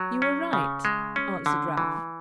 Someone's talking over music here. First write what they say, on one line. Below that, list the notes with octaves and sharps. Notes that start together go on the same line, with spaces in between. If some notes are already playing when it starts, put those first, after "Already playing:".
'You were right,' answered Ralph.
Already playing: F#3
C#4
C#3
G#3
C#4
D3
E3